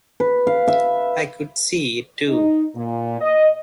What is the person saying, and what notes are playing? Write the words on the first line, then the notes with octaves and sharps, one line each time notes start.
I could see it too.
B4
F5
E5
D#4
A#2
D#5